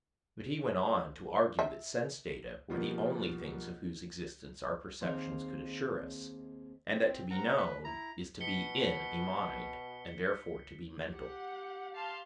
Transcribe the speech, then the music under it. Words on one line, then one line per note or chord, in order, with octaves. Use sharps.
But he went on to argue that sense-data were the only things of whose existence our perceptions could assure us; and that to be known is to be 'in' a mind, and therefore to be mental.
E5
B2 F3 G3 A#3
D#2 C4 D#4 G#4 F5
C4
C4 A#4 F#5 A#5
B4
E4 A#5
B2 B6 C#7 G7
G4 F#5
F5 A5 C6